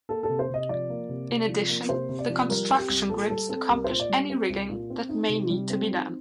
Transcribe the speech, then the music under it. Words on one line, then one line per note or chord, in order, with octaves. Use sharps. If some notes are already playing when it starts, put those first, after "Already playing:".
In addition, the construction grips accomplish any rigging that may need to be done.
A#3 A4
A4
C3
C5
C3 D#5
F3 D5
A#3
C3
C3
F3
A#3
C3 C5
C3
D5
F3
G3 A#4
C4
G4
C2
A#2 A4
G3 A4
C4 A4
C2 A#4
A#2 C5
D5
G3
C4
C2
A#2
C4
D#4
C3
G3
C4
D#4